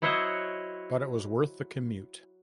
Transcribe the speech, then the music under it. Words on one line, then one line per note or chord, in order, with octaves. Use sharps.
But it was worth the commute.
F#3 E4 C5 C#5 D#5 F#5